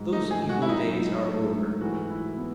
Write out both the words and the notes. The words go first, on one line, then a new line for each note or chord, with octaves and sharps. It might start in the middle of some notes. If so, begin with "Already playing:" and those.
Those evil days are over.
Already playing: G#2 F#3
A3 D#4
G#4
G#2
F#4
E4
F#3 D#4
G#2
A3
G#2
E3 F#4
E4
B3